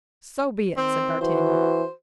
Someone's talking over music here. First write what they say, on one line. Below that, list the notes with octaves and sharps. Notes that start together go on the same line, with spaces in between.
"So be it," said d'Artagnan.
D#3 C4
E3 F#4 C5